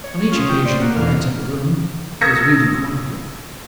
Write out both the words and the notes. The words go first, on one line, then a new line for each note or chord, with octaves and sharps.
On each occasion when I entered the room, he was reading quietly.
C#5
C#4 F4 D#6
G5
C5 D5
A#3 F#5
E2 D3 F5
D#6 E6 G#6 A#6 C#7